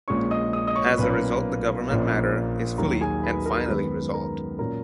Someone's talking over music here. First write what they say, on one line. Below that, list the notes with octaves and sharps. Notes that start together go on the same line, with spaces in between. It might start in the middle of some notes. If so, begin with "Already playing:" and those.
As a result, the government matter is fully and finally resolved.
A#1 A#2 G#3 C#4 C#5 C#6
D#5 D#6
D#6
D#5 D#6
C#5 C#6
B1 A#2 A#3 C#4 B4 B5
A#1 A#2 A#3 C#4
D#2 D#3 F#3 A#4 A#5
G#4 G#5
B4 B5
A#4 A#5
F#2 D#3 G#3 B3 B4 B5
A#4 A#5
A#2 F#3 C#4 A#4 A#5